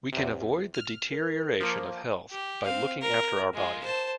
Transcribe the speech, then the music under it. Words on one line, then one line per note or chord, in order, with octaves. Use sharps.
We can avoid the deterioration of health by looking after our bodies.
E2 C3
F6
A#4
F3 A#3
G4
C4 F5
A#4
G#3 F4
C5 A5